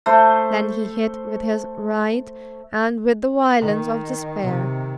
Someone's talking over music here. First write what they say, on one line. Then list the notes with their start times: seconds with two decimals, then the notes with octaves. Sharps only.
Then he hit with his right and with the violence of despair.
0.06 A3 C5
3.61 D#3
4.43 C3 D#3